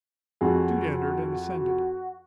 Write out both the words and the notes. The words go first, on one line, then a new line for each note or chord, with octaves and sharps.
Jude entered and ascended.
F2 F#4 G#4